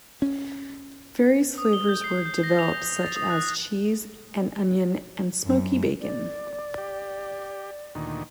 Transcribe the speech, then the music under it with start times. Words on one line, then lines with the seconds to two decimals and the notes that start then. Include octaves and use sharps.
Various flavours were developed such as cheese and onion and smoky bacon.
0.22 C#4
1.58 D#6
1.73 G7
1.89 G6
2.04 C7
2.25 G6
2.44 A#6
2.59 F7
2.73 G6
3.03 A6
3.16 D#6
3.30 F#6
5.44 F#2
6.01 D5
6.78 G4
7.95 D2 A#2 D#3